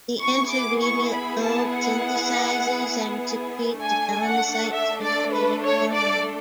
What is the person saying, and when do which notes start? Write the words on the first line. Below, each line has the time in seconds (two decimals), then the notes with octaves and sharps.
The intermediate lobe synthesizes and secretes melanocyte-stimulating hormone.
0.21 B3 E4 G#4 C#6
0.51 D6
0.81 C#6
1.11 B5
1.42 A5
1.71 F#5
3.82 A3 D4 A4 G#5
4.27 F#5
4.73 E5
5.02 D5
5.33 B4
5.63 C#5
5.92 D5